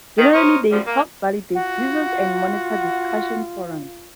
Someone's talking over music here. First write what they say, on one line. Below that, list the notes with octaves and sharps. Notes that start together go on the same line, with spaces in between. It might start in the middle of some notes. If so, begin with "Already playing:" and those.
Generally, they help validate users and monitor discussion forums.
D#3
A#4 C5 C#5 D#5
F#2 F3 G3
A#3
F4 F#4 F#5